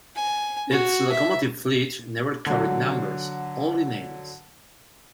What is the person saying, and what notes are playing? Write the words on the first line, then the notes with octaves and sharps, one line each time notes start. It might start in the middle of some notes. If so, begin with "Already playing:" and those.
Its locomotive fleet never carried numbers, only names.
G#5
F#4
E5
D3 F#3